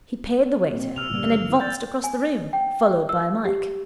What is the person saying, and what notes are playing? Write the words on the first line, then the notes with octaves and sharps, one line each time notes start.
He paid the waiter, and advanced across the room, followed by Mike.
A#2 G3 A#3 C4
C3 E6 F6 F7
G1 A#2 C#3 G3 A#3
E3
D5 G6 A6
G#5
G5
E6
G4